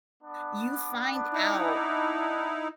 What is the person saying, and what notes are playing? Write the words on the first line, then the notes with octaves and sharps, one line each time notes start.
you find out
B3 D4
D#4 E4